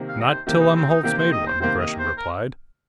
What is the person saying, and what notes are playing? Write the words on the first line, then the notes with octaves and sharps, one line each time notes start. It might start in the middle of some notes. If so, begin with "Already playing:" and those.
"Not till Umholtz made one," Gresham replied.
Already playing: C3 D#3 A#3
F5
D#5
C5
C3 D#3 A#3 G4
D#4
C4
D#4
C3 D#3 A#3 G4
C5
D#5
C5
C3 D#3 A#3 C5
D#5
C5
A#4